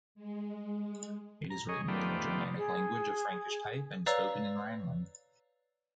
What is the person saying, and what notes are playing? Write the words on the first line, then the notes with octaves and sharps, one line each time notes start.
It is written in a Germanic language of Frankish type and spoken in Rhineland.
G#3
A#5
G#4 C#5 D#5
D#3 A3 B3 F4 G4 D5
G#4
B4 C#5 D5 F5 A#5 E6